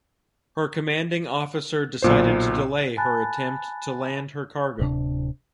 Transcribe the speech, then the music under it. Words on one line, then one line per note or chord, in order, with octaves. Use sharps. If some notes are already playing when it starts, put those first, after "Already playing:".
Her commanding officer decided to delay her attempt to land her cargo.
B1 A#2 C5
G#5 A5 B5 F#6 A6
D1 C3 D4